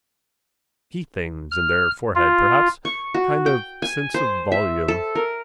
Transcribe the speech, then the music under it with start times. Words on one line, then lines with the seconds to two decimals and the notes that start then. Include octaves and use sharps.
See things in their forehead perhaps: kind of sense of volume.
1.51 F6
2.16 F4
2.85 C#6
3.14 F#4
3.46 G5
3.82 G#5
4.14 C5
4.52 E5
4.88 A4
5.15 A#4